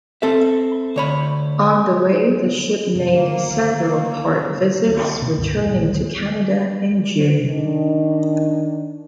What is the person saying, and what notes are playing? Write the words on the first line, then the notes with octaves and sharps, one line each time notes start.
On the way the ship made several port visits, returning to Canada in June.
C4 A4 E5
D2 C#5 B5
F#2 C3
D3 D#3 A3 A#3
B2
C#2 G2 B2
A#1 F2
A#2 F#3 G3 A3
D1
D#3 D4